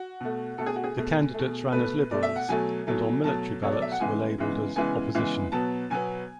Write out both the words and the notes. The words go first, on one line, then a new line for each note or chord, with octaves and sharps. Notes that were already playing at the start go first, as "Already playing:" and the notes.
The candidates ran as Liberals, and on military ballots, were labelled as Opposition.
Already playing: F#4
B2 A3
B2 A3 A4
G#4
F#4
G#4
B2 A3
A3
B2
B2 A3 B4
B2 A3 D5
E5
F#5
B2 F#3 A3 G#5
B2 F#3 A3
B2 F#3 A3 A5
B2 F#3 A3 C#5
D5
E5
F#5
C#3 E3 G#3 B3 G#5
C#3 E3 G#3 B3
C#3 E3 G#3 B3 G#5
C#3 E3 G#3 B3
B2 F#3 B3 A5
B2 F#3 B3 G#5